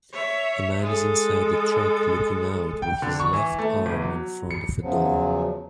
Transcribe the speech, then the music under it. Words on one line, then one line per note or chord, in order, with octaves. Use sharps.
A man is inside a truck looking out with his left arm in front of a door.
C#5 E5
G#3 A4
G5
D3
C#6
E3
A3
G1
F#3
C#7
E2 C#3 F3 F#3